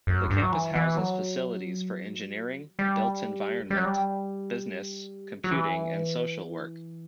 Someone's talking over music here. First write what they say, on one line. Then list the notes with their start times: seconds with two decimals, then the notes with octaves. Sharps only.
The campus houses facilities for engineering, built environment, business, computing and social work.
0.07 F#2
0.30 G2
0.42 F#3
0.52 E3
0.76 E3
0.97 F#3
2.79 G3
3.70 G3
3.77 F#3
3.85 G3
5.44 F#3
5.51 E3